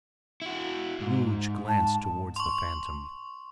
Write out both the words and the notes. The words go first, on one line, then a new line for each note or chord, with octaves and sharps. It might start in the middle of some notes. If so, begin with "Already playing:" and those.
Scrooge glanced towards the Phantom.
E4 F#4
G#2
A5
C6 C#6